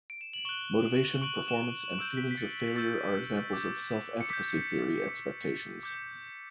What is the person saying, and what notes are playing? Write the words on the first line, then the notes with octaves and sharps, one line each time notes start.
Motivation, performance, and feelings of failure are examples of self-efficacy theory expectations.
D7
E7
F#7
C#6 F#6 E7 G7
G7
C#6 F#6 D7 F#7
E7 G7
C#6 E6 G6 D7
E7
B6 D7
B6
A6 C#7
C#6 E6 G6 A6
D6 G6
C#7
D6 G6 B6
D6 G6
D6 G6